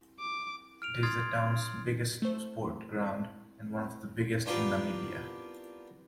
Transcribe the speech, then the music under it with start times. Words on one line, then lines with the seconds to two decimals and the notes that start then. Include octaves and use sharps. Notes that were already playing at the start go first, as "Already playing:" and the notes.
It is the towns biggest sport ground and one of the biggest in Namibia.
0.20 D6
0.82 F6 D7 F7
1.03 C6 D#6 F6 G#6 A6 C7
2.22 A3 C5
4.46 B3 D4 F4 G4 A#4 B4